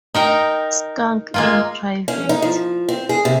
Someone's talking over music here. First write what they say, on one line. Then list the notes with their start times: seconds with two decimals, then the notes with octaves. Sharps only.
Skunk in private.
0.14 D#4 A#4 G5
1.34 G#3 A#3 F4
2.08 C#4
2.29 D#4
2.42 F3
2.89 C4
3.09 G#4
3.25 C3